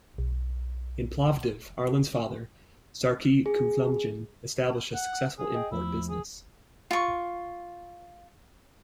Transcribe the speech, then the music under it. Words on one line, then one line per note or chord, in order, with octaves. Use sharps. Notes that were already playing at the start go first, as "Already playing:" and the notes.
In Plovdiv, Arlen's father, Sarkis Kouyoumdjian, established a successful import business.
B1
G#4
F#5
G#4
D#5 G5
E2 F3 A3 E4
G#4
F4 C#6